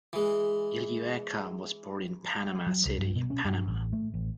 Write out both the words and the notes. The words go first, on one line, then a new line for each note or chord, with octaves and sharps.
Illueca was born in Panama City, Panama.
E3 G#3
F#3
C2
G2
B2
C#4
G2
A1
A3
A1